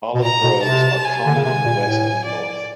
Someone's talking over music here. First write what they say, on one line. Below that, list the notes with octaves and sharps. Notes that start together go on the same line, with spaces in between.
Olive groves are common in the west and north.
B2
A#2 A#5
B2
C3 A5
G#5
D3
C#3
C3 G#5
A#2
A2
D5